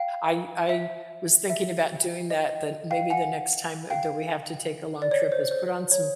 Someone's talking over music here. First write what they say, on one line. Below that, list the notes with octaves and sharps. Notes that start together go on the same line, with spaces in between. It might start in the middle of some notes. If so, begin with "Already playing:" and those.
I I was thinking about doing that, then maybe the next time, uh, that we have to take a long trip is put on some
Already playing: F5 G5
E5
E5
D#5
F5 G5
F#5 G#5
F5 G5
D5
C#5
C5
C5
C#5